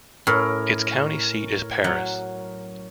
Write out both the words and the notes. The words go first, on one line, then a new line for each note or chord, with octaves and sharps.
Its county seat is Paris.
A2 C#4 A#4
F#3